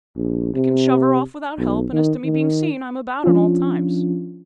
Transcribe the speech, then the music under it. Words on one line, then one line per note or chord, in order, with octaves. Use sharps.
I can shove her off without help; and as to me being seen, I'm about at all times.'
A#1
C3
B1
D#3
D#3
F3 C#4 D4 F4